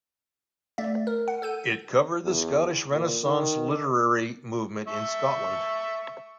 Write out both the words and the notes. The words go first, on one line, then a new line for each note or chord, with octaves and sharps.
It covered the Scottish Renaissance literary movement in Scotland.
A3 D5 E5
A#4
F#5
A4 G6 D#7
E2
A#2
D#3
E5 C#6